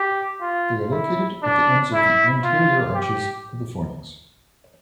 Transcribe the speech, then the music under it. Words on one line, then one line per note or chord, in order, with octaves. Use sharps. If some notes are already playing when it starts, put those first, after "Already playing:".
They are located at the ends of the anterior arches of the fornix.
Already playing: G4
F4
E4
D4
E4
F4
G4